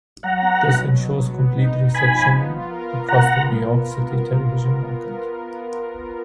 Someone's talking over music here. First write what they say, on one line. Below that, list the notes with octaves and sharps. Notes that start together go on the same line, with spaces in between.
This ensures complete reception across the New York City television market.
F#3 F#5 A#5
B3
B2
F#3
B2
F#3
B3
D#4
D#4
B3 G#5 B5
F3
B3
F4
A#4
F4
F4 F#5 A#5
B3